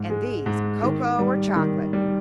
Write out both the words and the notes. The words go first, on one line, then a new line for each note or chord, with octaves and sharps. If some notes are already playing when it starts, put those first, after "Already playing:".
And these,--cocoa or chocolate.
Already playing: G#2
G#3
G#2
D#3
G3
D#3
G3